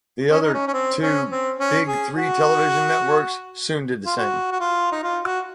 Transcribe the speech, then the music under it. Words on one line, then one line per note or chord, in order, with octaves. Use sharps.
The other two Big Three television networks soon did the same.
C#4
D#4
C#4
C#4
C4
C#4
C4
C#4
G#4
F#4
F4
F#4
F#4
F4
D#4
F4
F#4